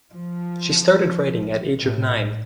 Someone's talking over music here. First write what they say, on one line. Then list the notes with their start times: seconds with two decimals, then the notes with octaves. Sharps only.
She started writing at age of nine.
0.14 F3
1.81 A2